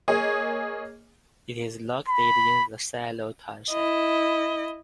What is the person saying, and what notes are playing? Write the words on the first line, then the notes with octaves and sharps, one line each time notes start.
It is located in the Shiloh township.
A#3 G#4 C#5 D#5
B5
E4 D#5